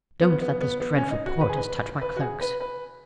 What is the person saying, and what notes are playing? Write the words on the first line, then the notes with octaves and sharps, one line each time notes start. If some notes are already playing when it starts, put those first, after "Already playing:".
Don't let those dreadful porters touch my cloaks.
B3
B3
B3
B3
C#4
D#4
F#4
B4
G#4
B4
B4
F#4
G#4
B4
B4